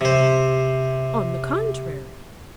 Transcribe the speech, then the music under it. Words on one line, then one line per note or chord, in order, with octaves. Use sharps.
On the contrary!
C3 C5